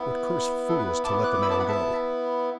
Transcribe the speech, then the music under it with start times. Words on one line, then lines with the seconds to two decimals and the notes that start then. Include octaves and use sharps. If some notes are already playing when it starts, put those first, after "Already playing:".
'What cursed fools to let the man go!
Already playing: B3 E4
0.69 A4
0.78 B4
1.04 B3 E4 A5 D6
1.24 D6 F#6
1.34 D6
1.42 B5 E6
1.50 A5 D6
1.60 F#5 B5
1.68 E5 A5